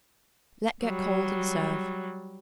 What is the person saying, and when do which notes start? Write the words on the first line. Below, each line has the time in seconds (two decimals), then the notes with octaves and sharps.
Let get cold and serve.
0.84 F#3 G3